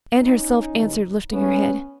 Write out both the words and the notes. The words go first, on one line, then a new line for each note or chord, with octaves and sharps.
Anne herself answered, lifting her head.
G1 F#2 D#3 C#4 D#4
D#2 C#3 E3 G#3 B3
G#2 E3 A3 B3 C#4